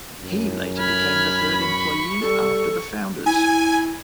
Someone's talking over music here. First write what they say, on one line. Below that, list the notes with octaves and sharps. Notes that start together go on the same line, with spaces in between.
He later became the third employee after the founders.
F#2
B5 F6 G#6
C#6
G3 A4
E4 G#5